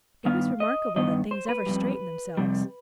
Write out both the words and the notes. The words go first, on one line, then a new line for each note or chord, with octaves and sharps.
It was remarkable that things ever straightened themselves.
G2 D#3 B3 F5
D#5
G2 D#3 B3 D#5
C5
B4
F2 C3 G3
F2 C3 G3